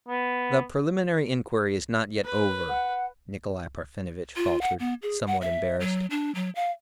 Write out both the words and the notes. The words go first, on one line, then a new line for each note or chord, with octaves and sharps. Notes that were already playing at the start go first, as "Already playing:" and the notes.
"The preliminary inquiry is not yet over," Nikolay Parfenovitch faltered, somewhat embarrassed.
B3
B4
F#5
F4
F#5
B3
G#4
F#5
E5
F#3
D4
F#3
F5